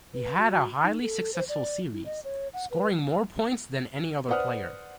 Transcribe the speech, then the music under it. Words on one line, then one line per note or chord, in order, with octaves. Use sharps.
He had a highly successful series, scoring more points than any other player.
B4
F#4
D#4
A4
C5
D5
E4
D#5
C#5
F#5
B4
B4 C5 D5 F#5 D#6 F6